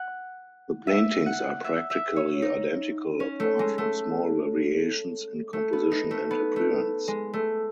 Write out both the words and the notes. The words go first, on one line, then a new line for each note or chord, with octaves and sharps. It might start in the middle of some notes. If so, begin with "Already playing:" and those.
The paintings are practically identical apart from small variations in composition and appearance.
Already playing: F#5
E5
F#5
E5
E5
C#5
D#4
C#4
A3
G#3
A3
A3
B3
D#4
A3
B3
A3
G#3
A3